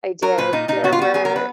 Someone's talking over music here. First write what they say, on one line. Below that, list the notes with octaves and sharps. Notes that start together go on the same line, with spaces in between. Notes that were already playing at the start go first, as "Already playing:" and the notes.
I did. There were
F#3 A#4
A#2 B4
A#2 D#4
A#2 D#4
B3 F#4
F4
B3 F#4
F#3 G#4
A#4
B3
B4